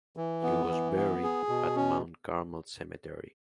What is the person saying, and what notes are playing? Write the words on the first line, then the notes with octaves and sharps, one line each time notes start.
He was buried at Mount Carmel Cemetery.
E3
B3
E3
B3
G#4
B2
C#4